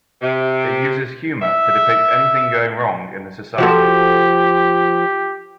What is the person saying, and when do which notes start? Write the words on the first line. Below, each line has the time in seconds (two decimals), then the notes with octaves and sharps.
It uses humor to depict anything going wrong in the society.
0.21 C3
1.42 E5
3.58 F3 F#4 G4 A4